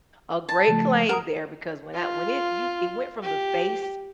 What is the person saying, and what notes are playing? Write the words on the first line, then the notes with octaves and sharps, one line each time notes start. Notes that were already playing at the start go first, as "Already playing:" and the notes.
a great claim there because when I when it you it went from the face
A5
C#3 F3 A3
A#4 F#5 A#5 D#6
F4
G4